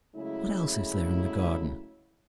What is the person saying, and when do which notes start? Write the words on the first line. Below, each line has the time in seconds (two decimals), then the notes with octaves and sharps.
"What else is there in the garden?"
0.15 C#3 F#3 G#3 A3 E4